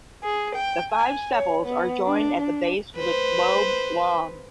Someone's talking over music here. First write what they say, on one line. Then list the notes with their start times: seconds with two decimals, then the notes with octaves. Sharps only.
The five sepals are joined at the base with lobes long.
0.25 G#4
0.55 G5
0.91 G#5
1.31 C#5
1.65 B3
2.06 D4
2.40 D4
2.96 B4 C5